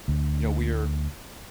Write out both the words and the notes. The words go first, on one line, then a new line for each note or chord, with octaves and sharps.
you know, we're
D2